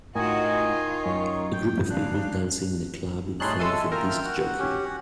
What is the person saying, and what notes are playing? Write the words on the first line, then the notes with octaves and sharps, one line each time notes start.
A group of people dancing in a club in front of a disk jockey.
A2 D#3 F4 F#4 D#5 G#5
F4
F#2 C#5
G5
C#3 D4 F5 F#6
A2 G3 D#4 G#4 C#5 A5 C6 F#6
G#3 A4 E5 C6 E6 D#7
F4 A#4 E5 G5 F6
F#4 F#5
C#4 G4